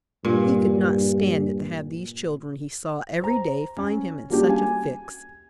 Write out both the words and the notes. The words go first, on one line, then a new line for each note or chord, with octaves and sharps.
He could not stand it to have these children he saw every day find him in such a fix.
G2 A#2
C5 A#5
C#4
G3 A#3 C#4 D4 F#4 G4
G#5